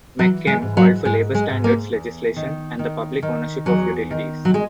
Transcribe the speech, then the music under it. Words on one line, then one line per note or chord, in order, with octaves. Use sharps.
McKim called for labour standards legislation and the public ownership of utilities.
E3 F#3
G#3
G#2
F#3
G#2 G#3
G#3
G#2
A#3
E2
D#3
D#3
D#3
E2 F#3
D#3
F#3
G#3